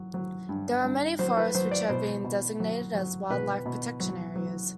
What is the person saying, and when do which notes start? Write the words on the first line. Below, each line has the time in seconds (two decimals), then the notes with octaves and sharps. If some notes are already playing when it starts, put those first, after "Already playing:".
There are many forests which have been designated as wildlife protection areas.
Already playing: F#3
0.14 F#3
0.49 G2
0.84 G2
1.19 F#3 C5
1.37 B4
1.55 F#3 C5
1.71 D5
1.89 B2 C5
2.24 B2
2.60 F#3
2.95 F#3
3.30 B2 B4
3.66 B2
4.00 F#3
4.36 F#3